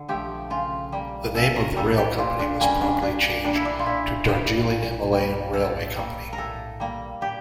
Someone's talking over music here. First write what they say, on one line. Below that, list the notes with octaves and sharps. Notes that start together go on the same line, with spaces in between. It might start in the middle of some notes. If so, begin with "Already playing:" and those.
The name of the rail company was promptly changed to Darjeeling Himalayan Railway Company.
Already playing: D3
F3 A3 G4
C#3 F4
G3 A#3
C#3 A4
A#4
G3 A#3 A4
G4
A#2 F4
D4
G3 A#3 C#4
D4
A#2 D4
G3 A#3 D4
E4
D4
F4
A#2 E4
G3 A#3 G4
A#2
G3 A#3
A2 A4
G3 A#3
A#4
A2 A4
G3 A#3
A#2 G4